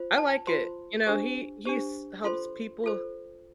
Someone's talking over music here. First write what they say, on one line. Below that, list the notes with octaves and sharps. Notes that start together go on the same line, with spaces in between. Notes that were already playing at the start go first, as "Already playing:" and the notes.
I like it. You know, he he's helps people,
Already playing: F4 C5
A5
F4 C5 C6
D4 G4 C5
D4 G4 C5
F4 A4 C5 C6
F4 A4 C5